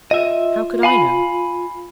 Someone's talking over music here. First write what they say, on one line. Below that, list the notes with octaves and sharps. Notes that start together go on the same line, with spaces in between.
How could I know?
F4 D#5 E5
F5 G#5 B5